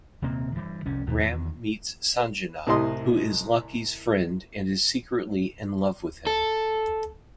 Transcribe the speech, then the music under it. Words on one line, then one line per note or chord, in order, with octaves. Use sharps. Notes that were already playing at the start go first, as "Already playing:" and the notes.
Ram meets Sanjana, who is Lucky's friend and is secretly in love with him.
D#1 C3 A#3 C4
G2 E3 G3
F1 C2 G3 C#4
E1 D#2 B2 E3
E2 D#3
C2 A2 G3 D#5 C6 D#6
A4